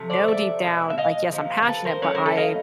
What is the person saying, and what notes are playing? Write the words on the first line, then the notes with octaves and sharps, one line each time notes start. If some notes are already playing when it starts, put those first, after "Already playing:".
know deep down, like, "Yes, I'm passionate, but I
Already playing: C3 F3 A3
C5 D5
D5 E5
B2 G#3 C4 E4
E5
D#5 F5
C3 F3 A#3
A#4
A4 B4
A#4 C5
F#3 A3 C#4 E4 B4 C#5
A#4 C5
A4 B4
F#5
D#5 F5